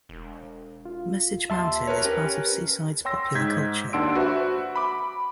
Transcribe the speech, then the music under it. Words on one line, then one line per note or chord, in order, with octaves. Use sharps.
Message Mountain is part of Seaside's popular culture.
E1
F4
D#2 E5 A5 C6
A#4 B4 C#5
C#4 G4
C#5 G5 C6 E6 A#6
G#2 G6 G#6 B6
D#2 D4 F#5 C6 E6 D7
F#4 B4 C5 E5
B5 D6